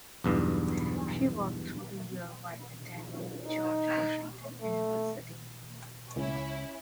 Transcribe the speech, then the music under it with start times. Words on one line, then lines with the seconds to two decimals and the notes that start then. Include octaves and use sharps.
She worked through the year while attending George Washington University.
0.24 B1 E2 G2
3.46 D#4
4.62 A3
6.16 C#2 C#4 E4